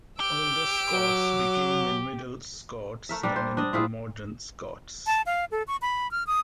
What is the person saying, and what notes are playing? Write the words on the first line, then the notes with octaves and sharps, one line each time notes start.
Older Scots became in Middle Scots then in Modern Scots.
G4 E6 D7
F#3
A3 A#4 E5
G3 D4 A#4 D5
C5
D4 D5 D#5
C4 E4 F4 G#4
A5
F5
A4
C#6
B5
F6
D#6